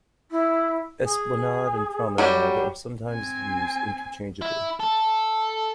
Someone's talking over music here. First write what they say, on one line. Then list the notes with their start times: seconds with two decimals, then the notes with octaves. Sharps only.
"Esplanade" and "promenade" are sometimes used interchangeably.
0.31 E4
1.03 G#4
2.18 F#3 G3 G4
3.10 C4 G#5
4.41 E4
4.80 A4